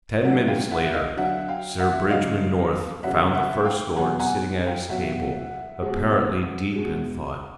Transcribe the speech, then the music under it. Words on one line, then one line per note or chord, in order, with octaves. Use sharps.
Ten minutes later Sir Bridgman North found the First Lord sitting at his table, apparently deep in thought.
D3 F#3 E5 F#5
F5 G5
E5 F#5
D#5 F5
D3 F#3 E5 F#5
F5 G5
E5 F#5
C#3 F#3 D#5 F5
C#3 F#3 E5 F#5
E5 F#5
F5 G5
B2 F#3 F#5 G#5
F#5 G#5
F5 G5
B2 F#3 E5 F#5
B2 G#3
B2 G#3